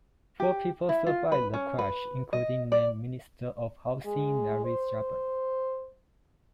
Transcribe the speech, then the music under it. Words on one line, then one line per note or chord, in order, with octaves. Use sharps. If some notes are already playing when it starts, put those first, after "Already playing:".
Four people survived the crash, including then Minister of Housing, Larry Shaben.
G4
E4
F4
B4
C#4
B4
D#5
D5
G#3
C5